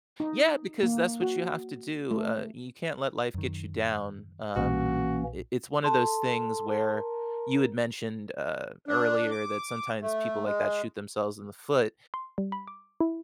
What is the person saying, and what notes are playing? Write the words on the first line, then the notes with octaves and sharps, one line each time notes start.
Yeah, because that's what you have to do, uh, you can't let life get you down, um, it it's one of those things where, you had mentioned, uh, earlier that sometimes people like that shoot themselves in the foot,
D#4
A#3
F#4
A3
F#2 D#3
B1 A#2 E3 A#3 C#4 F#4
A4 A5 C6
A#4
D4
D6
A3
G#3
C6
G3
B5
D6
E4